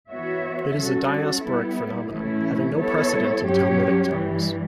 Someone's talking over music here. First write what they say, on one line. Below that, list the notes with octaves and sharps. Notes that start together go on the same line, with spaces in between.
It is a diasporic phenomenon, having no precedent in Talmudic times.
E3 B3 F#4 C#5 E5
G3 C#4 F#4 A4
G3 B3 E4
A2 E3 A3 C#4 E4
G3 B3 E4 A4 C#5
G2 F#3 C#4 G4 C#5
G2 E3 G3